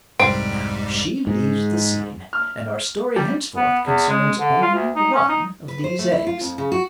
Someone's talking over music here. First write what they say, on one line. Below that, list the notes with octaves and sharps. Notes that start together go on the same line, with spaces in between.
Now she leaves the scene, and our story henceforth concerns only one of these eggs.
F1 C2 G#2 G3 C4 D7
G#2
F6
G3
B3
E2
G#3
D3
F4
D2
D#4
C#4
D#4
B4
C5
A3
E4
F4
F2
C#3
F#4